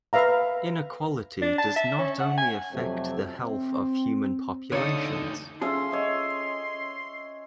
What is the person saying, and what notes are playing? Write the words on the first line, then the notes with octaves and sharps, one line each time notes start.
Inequality does not only affect the health of human populations.
B4 E5 F5 A#5
D4
A5
E5
C#4
F#5
G#5
F2 C3 F#3 A3
C4
D2 D3 D#4 A4 C#5 F5 D#6
C#4 F4 G#4 A4 E5 C6
C#5 D#5 E5